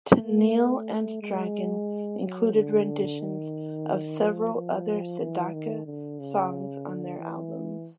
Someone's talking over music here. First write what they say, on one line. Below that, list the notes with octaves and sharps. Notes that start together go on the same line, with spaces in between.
Tennille and Dragon included renditions of several other Sedaka songs on their albums.
A#3
A3
G#3
F#3
D3
D#3
F3
F3
E3
D#3
D3
C#3
D3
E3